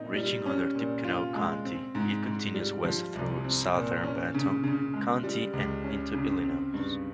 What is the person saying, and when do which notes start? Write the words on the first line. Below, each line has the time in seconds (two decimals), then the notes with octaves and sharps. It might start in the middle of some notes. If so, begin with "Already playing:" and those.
Reaching under Tippecanoe County, it continues west through southern Benton County and into Illinois.
Already playing: A#2 C4 D#4
0.16 G3
0.46 C#4
0.75 A#2
1.05 F4
1.34 G#3
1.65 C4
1.95 G#2
2.25 G#2
2.54 G3
2.85 F3
3.15 C2
3.44 C4
3.74 A#2
4.04 C#4
4.34 C#3
4.64 C#3
4.94 G#3
5.23 G3
5.53 C#2
5.84 C#4
6.14 C#3
6.44 C4
6.74 G2